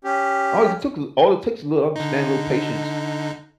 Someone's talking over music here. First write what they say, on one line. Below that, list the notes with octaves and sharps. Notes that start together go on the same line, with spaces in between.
all it took a all it takes a little understanding, a little patience,
C#4 G4
D3 D#4